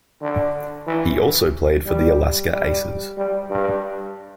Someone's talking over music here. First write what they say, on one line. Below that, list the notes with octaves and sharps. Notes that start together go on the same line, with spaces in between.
He also played for the Alaska Aces.
D3
E3
G3
G3
G3
G2